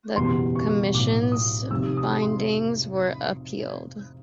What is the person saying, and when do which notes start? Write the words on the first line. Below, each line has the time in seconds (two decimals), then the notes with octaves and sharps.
The Commission's findings were appealed.
0.16 F#1 E2 B2 G3 C6
0.55 C#6
0.94 B1 A2 F#3 D6
1.32 D#6
1.70 F1 F2 C3 D#3 G3 E6
1.97 D#6
2.22 C6